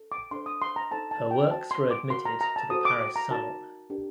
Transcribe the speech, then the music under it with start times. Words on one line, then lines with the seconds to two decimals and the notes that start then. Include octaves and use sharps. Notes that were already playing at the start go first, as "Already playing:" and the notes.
Her works were admitted to the Paris Salon.
Already playing: A4
0.12 D6
0.31 D4 A4 C5 C6
0.46 D#6
0.62 C6
0.76 A#5
0.91 D#4 A4 C5 A5
1.11 A5
1.31 G5
1.51 F#4 C5 A5
1.71 C6
1.91 D6
2.10 F#4 A#4 C6
2.25 A#5
2.41 A#5
2.56 A5
2.70 F#4 A4 C5 D#6
2.85 D6
3.01 D6
3.16 A#5
3.31 D#4 F#4 A#4 A5
3.90 D4 G4 A#4